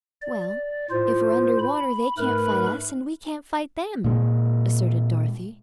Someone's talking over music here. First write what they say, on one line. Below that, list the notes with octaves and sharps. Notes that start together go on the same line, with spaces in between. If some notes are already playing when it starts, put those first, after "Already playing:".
"Well, if we're under water, they can't fight us, and we can't fight them," asserted Dorothy.
D5
A2 F4 C5
B5
G#2 A3 A#4 B4 B5
A#2 G#3